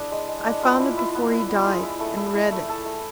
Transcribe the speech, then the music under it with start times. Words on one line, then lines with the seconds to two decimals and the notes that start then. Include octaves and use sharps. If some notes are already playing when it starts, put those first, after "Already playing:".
I found it before he died--and read it.
Already playing: D4 E4 G#4
0.12 G#3
0.28 G#3
0.46 D4
0.62 B3 F4
0.80 E4
0.97 E4
1.15 B3
1.31 E4
1.49 B3
1.55 F4
1.66 E4 G#4
1.83 E4
2.00 A3
2.17 E4
2.35 E4
2.52 A3
2.69 A3 A4
2.86 A3